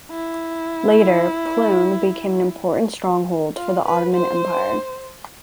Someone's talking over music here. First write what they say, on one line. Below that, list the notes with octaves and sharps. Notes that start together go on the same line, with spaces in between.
Later, Plewen became an important stronghold for the Ottoman Empire.
E4
F4
B4
C5